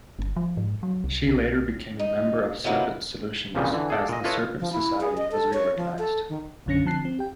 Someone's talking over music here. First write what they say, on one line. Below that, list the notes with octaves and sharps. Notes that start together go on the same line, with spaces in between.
She later became a member of Serpent Solutions as the Serpent Society was reorganized.
G1
F3
G#2
F#3
C2
B1
D#4
A2 C3 D#3 F#3 A#3 B3
C2 A#2 C#3 E3 F3 G3
D3 E3
G#4 A4 D5
A#2 D#5
E4 F4 A4 B4 C#5 D#5
F3
E4
G#4
D#5
A4
C#5
F3
A4
D#3
A#1 F#2 D3 C#4 A#6 C#7
D3 F3 C4 A5 F#6 C7
C4
G4 G5